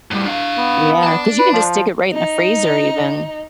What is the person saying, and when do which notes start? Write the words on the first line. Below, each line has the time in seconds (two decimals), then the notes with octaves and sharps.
Yeah. ‘Cause you can just stick it right in the freezer even.
0.11 A2 G3
0.26 D4 F5
0.57 B3
1.03 D5 A5
1.38 B4
1.53 F3
2.12 D#4